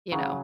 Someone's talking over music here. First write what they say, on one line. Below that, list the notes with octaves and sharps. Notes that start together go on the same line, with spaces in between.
You know?
C#3 F#3